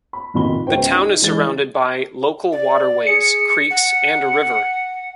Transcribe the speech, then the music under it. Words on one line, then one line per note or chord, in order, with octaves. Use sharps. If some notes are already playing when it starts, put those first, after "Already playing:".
The Town is surrounded by local waterways, creeks and a river.
B5
F1 A#2 D#3 F#4 B5 G7
C#2 B3 F#4 B4 C5 G5
D#4
E3 G#3 A6 G7
D5
G#4 C#7
F#5